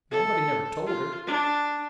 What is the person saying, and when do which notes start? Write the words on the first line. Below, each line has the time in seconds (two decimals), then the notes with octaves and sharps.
"Nobody never told her."
0.11 A4
0.87 F4
1.27 D4